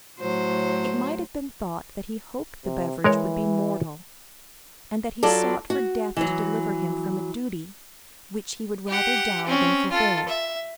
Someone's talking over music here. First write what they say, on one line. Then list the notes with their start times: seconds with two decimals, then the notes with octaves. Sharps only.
It might have been thought that he hoped the beverage would be mortal, and that he sought for death to deliver him from a duty which he would rather die than fulfil.
0.20 A2 F#3 C5
2.65 C3
3.04 E3 G#3 A#4 C#5
5.23 F#3 F4 A4 D5
5.70 F#4
6.17 E3 F#3
8.87 G4 F#5
9.46 C4 C#4
9.91 F4 A4
10.28 E5